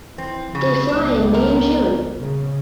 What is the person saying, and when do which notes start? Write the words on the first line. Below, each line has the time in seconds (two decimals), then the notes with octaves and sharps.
They fly in May and June.
0.18 E3 C4
0.55 C#3 F3
0.88 C#2 G3 B3 D4
1.34 A#4
2.18 C#3